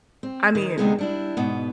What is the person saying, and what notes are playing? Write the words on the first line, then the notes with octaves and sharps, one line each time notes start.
I mean,
C4
D#3
D2 C3 G#3 B3 D#4 G#4
G3 D4 E4
G#2 B2 B3